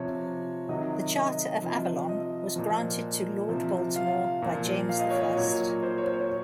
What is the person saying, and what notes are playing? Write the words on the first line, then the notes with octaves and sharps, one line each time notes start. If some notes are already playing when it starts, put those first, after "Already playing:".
The Charter of Avalon was granted to Lord Baltimore by James the First.
Already playing: C3 F3 C#5
C3 D#3 F#3 D#5
D#5
C3 F3
D#5
A#2 F3
C3 F3
F5
A#2 F3
F5
D#5
C#5
D#5
A#2 F#3 C#5
C5
C#5
C#5
C#5